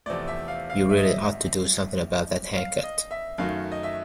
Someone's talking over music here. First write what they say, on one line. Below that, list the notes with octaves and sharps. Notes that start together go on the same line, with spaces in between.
You really ought to do something about that haircut.
E2 C3 F3 A3 D5
E5
F5
F5
E5
D#5
E5
F5
D#5
E5
F#2 D#3 F#3 A3 F5
D#5
E5